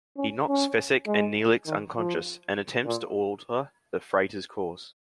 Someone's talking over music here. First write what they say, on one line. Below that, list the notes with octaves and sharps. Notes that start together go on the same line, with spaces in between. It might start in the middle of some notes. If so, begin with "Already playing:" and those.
He knocks Fesek and Neelix unconscious and attempts to alter the freighter's course.
C#4
C#4
G#3
D#3
F3
A#2